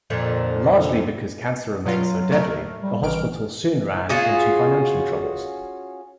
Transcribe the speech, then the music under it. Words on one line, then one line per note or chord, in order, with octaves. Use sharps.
Largely because cancer remained so deadly, the hospital soon ran into financial troubles.
F2 A#2 D3
B2 F#3 F4
A2 A3 A#4
G3
A1 E3 F6 D7
C#4 F4 F#4 G#4